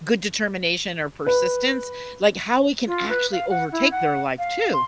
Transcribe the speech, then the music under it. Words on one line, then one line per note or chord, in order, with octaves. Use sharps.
good determination or persistence, like how it can actually overtake their life too.
B4
F4
B4
F5
F#5
E4
F#5
F5
C6